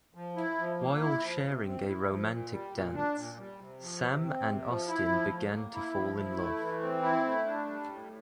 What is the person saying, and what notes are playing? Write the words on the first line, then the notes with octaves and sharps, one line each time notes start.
While sharing a romantic dance, Sam and Austin begin to fall in love.
F3
E4
F3
A#3
E4
F3
C3
C4
E4
F3
A#2
G3
A#2
D4
A#2
G3
C3
F3
C3
C4
C3
F3
E4
F3
A2
A#3
E4
F3
E4
A3
E3
C4
E4
A3
D4
G3
A2